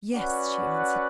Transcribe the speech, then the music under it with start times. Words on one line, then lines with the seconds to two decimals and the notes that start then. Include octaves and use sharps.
"Yes," she answered.
0.14 C#4 F#4 B4 D5 F#5